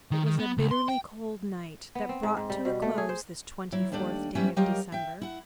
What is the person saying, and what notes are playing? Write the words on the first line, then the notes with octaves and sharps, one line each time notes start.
It was a bitterly cold night that brought to a close this twenty-fourth day of December.
D#3
D#3
B3
C#2
C6
G5
B3
C4
G#2
G#2
G3
B2
A3
G#4
C5
F#3 E4
D#2 G3 A3 D4 D5
F#3 G3 B3 C#4 E5
F#3 G3 F4 G4 A#4 D#5
E5 G5
E4 F#5